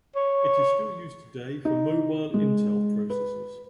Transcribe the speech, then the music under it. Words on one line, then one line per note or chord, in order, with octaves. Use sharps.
It is still used today for mobile Intel processors.
C#5
D#4
G#3
B4